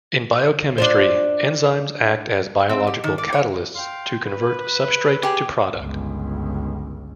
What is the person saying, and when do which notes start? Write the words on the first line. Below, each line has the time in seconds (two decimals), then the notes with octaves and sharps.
In biochemistry, enzymes act as biological catalysts to convert substrate to product.
0.78 D4 F4 C5
2.69 C4
2.87 G4
3.04 D#3
3.18 D5
3.33 C#5
3.76 F5 G5 C6
4.26 B4
5.23 G4 G#4
5.76 G1 C#2